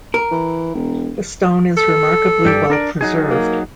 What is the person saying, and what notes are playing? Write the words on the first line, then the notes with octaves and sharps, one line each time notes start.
The stone is remarkably well preserved.
A#4
E3
E1
A4
G2 G4 D5
D4 A#4 D5
F#3 D#4 G#4
A#3